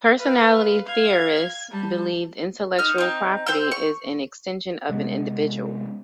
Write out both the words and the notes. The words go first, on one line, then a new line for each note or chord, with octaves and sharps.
Personality theorists believe intellectual property is an extension of an individual.
B4 F5
F5 G#6
G3 A5
D#4 F6
C4 D#4
C5 G5 E6
C#6
C3 G#3 A3 B3